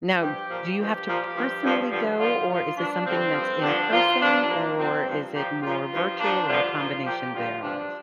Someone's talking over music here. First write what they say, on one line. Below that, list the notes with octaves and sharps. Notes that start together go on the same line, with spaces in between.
Now, do you have to personally go? Or is this something that's in-person? Or is it more virtual? Or a combination thereof?
G2 F3 G4
A#2 F3
G2 F3 G4
A#2 F3
G2 F3
G2 F3
G2 D3 F3
G2 D3 F3 F4
A#2 F3 F4
G2 F3 D4
G2 D3 F3 C4
G2 F3
G2 D3 F3 D4
A#2 F3 F4
G2 F3 D4
A#2 F3 A#3
A#2 F3 C4
G2 F3
A#2 F3 G4
A#2 F3 F4
G2 F3
A#2 F3 D4
G2 D3 F3 F4
A#2 F3
A#2 F3 G4
G2 D3 F3 F4
G2 F3 D4